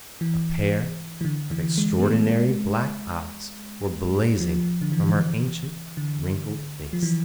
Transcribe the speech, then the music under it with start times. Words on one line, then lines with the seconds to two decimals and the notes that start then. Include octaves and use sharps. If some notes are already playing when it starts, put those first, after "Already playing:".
A pair of extraordinary black eyes were blazing from her ancient, wrinkled face.
0.21 E3
1.21 E3
1.25 D3
1.51 E3
1.78 G#3
1.99 B3
2.03 A3
2.31 G#3
4.40 F3
4.82 D3
4.92 E3
5.97 D3
6.93 F3
7.03 E3